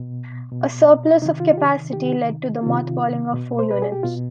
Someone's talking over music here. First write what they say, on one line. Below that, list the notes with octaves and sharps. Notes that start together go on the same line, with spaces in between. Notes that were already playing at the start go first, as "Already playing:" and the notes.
A surplus of capacity led to the mothballing of four units.
Already playing: B2
B2
C3 D#3 D#4
F4
F4
G4
C3 D#3 G4
C3 D#3 F4
B2
C5
B4
G#4
G4
B2 F4